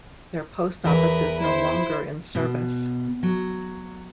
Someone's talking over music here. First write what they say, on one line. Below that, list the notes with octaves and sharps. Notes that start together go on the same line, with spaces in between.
Their post office is no longer in service.
E2 A#4 B4 E5
E4 C5
B2
F#3